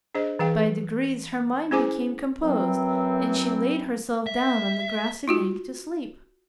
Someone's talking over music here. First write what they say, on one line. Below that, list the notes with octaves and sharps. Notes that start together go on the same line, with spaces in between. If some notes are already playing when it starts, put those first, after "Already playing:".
By degrees her mind became composed, and she laid herself down on the grassy bank to sleep.
D4 G#4 C5 D#5
E3 G#4 F5 G5
C#4 E4 G#4 C5 G#5 D6
F#2 E3 F#3 C4
E5
D#4 F4 F#4